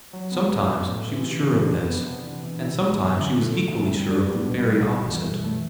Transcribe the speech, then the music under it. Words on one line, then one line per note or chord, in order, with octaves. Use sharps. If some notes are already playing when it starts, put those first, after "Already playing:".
Sometimes she was sure of this, and sometimes she was equally sure of the very opposite.
F#3
B3
F#3
B3
A2
E3
E3
E3
D4
B3
C3
E3
B2
E4
B3
F#3
D3
A3
A3
C4
G3
D4
B3
B2
G3
G3
E3
F#2
A3